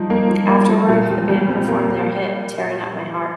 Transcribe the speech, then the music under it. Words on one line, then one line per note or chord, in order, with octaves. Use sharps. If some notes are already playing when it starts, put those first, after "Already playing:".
Afterwards, the band performed their hit "Tearin' Up My Heart".
Already playing: F3 G3 D#4
A#3
F3
A#3
F3
A#2
G3
G3
G3 C4
A#3
A#3